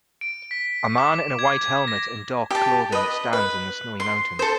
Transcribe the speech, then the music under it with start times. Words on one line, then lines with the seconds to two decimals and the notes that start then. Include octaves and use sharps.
A man in a white helmet and dark clothing stands in the snowy mountains.
0.21 D7
0.51 B6
0.98 D6
1.39 G#6
1.61 G#6
1.87 A#6
2.51 G4 A5
2.92 B4 D#5
3.33 B4
4.00 C6
4.39 A4 C5